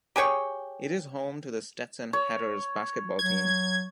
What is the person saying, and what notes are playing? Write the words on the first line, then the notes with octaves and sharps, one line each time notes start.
It is home to the Stetson Hatters basketball team.
G4 G#4 C#5 G5
C#5
F#3 G#6